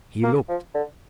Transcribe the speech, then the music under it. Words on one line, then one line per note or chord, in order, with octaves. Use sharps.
He looked.
A#3
F3
D3